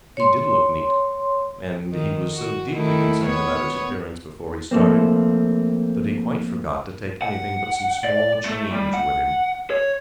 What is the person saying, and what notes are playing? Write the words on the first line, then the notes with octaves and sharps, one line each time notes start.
He did look neat, and he was so deeply concerned about his appearance before he started that he quite forgot to take anything but some small change with him.
C#5 C6
D#3
F#4
D#3 A3 E4
B3 C#5
F3 A3 A#3 C4
F#5
D5
A3
G3
F#5
C#5